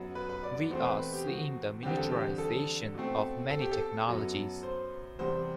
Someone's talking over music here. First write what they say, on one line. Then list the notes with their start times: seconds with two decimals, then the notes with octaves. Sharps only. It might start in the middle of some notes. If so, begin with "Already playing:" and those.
We are seeing the miniaturization of many technologies.
Already playing: F#2 F#3 B3
0.15 B4
0.29 B4
0.43 D5
0.71 E2 B2 A3 C4 C5
0.85 B4
0.99 B4
1.13 G4
1.27 F#4
1.83 E2 D3 G3 C4 G4
1.97 A4
2.11 G4
2.38 A4
2.95 B2 A3 C4
3.50 A4
3.62 G4
3.71 A4
4.07 F#2 F#3 B3
4.63 C5
5.19 E2 C3 G3 C5